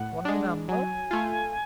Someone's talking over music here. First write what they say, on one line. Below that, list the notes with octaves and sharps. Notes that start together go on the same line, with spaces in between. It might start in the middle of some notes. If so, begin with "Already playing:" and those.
One of a number?
Already playing: A2 F#5
G#3 D4
F#3 G#5
A3 F4